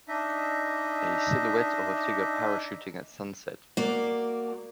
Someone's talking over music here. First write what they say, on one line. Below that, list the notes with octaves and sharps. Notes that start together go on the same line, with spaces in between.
A silhouette of a figure parachuting at sunset.
D4 D#4 D#5 E5
A#3 F#4 D5